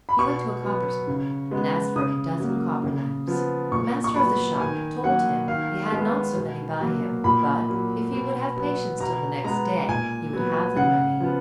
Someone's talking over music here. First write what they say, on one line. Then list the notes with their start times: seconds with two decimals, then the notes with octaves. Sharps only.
He went to a coppersmith, and asked for a dozen copper lamps: the master of the shop told him he had not so many by him, but if he would have patience till the next day, he would have them ready.
0.09 B5
0.19 B2 C#6
0.63 F#3 B3
1.07 C#3
1.51 G#3 B3
1.96 C#3 D#6
2.40 F#3 A#3
2.83 C#3
3.27 F3 B3
3.72 A#2 C#6
4.04 C#6
4.16 F#3 B3 B5
4.60 D#3 G#5
5.04 F#3 A#3 F#5
5.48 D#3 F5
5.92 G#3 B3
6.36 B2
6.80 F#3 A#3
7.24 A#2 B5
7.69 F#3 A#3
8.12 B2
8.56 F#3 B3
9.00 B2 A#5
9.44 G#3 B3 A#5
9.88 A#2 G#5
10.33 F#3 B3
10.77 C#3 F#5
11.20 F3 B3